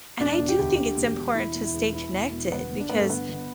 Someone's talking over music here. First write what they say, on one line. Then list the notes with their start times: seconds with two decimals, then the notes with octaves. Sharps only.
and I do think it's important to stay connected because
0.20 E1 D4
0.39 E1
0.49 G4
0.59 D2
0.78 D3
0.97 E1
1.17 E1
1.35 E1 E4
1.55 E1
1.64 E4
1.74 E2
1.93 E3 E4
2.12 E1
2.32 E1
2.51 G1 B3
2.71 G1
2.80 D4
2.89 G2 B3
2.99 A3
3.09 D3 B3
3.29 G1